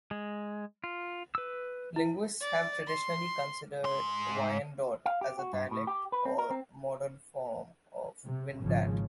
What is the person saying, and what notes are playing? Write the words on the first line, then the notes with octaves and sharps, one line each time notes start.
Linguists have traditionally considered Wyandot as a dialect or modern form of Wendat.
G#3
F4
B4 E6
E4
D5
C6
G#2 C6
F5
G4
F#4
G2
A2
G4
B4
C4
A#4
C4
C3
G#1 C#3 F3